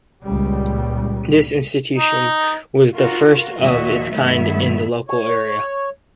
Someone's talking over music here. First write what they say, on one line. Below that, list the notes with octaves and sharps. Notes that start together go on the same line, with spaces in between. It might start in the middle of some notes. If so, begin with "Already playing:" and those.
This institution was the first of its kind in the local area.
C#2 A#2 G3
D#4
F4 F#4 A#4
D#2 A#2 F3 F#4 D#5 E5
G2 D#3 G3 A3 B3 E5
C#5